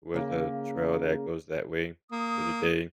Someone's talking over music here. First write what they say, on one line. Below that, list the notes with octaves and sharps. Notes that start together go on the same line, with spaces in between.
was a trail that goes that way the other day.
C#3 A#3
A#3 D#6